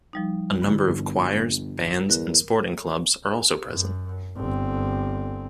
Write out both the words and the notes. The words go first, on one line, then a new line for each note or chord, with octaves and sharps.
A number of choirs, bands and sporting clubs are also present.
F3 G3 D#4
G2 D3 E4
G1
E2 A#4 F#6
F#2
G1 C4